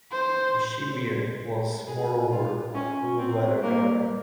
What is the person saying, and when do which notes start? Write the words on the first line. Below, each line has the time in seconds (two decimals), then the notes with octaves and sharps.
The chimere was, moreover, a cold weather garment.
0.12 C5
1.88 G#4
2.32 F4
2.75 C#4
3.19 C4
3.63 A#3